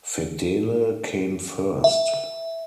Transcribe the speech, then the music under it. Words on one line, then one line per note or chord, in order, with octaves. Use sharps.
Fedele came first.
E5